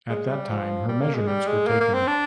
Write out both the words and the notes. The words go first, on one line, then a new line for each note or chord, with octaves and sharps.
At that time her measurements were taken.
G#3
G3
F3
G3
A#3
G#3
G3
G#3
A#3
A#3
C4
D4